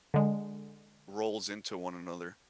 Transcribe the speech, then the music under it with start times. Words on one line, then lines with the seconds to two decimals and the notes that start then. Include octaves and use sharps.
rolls into one another.
0.14 D3 G#3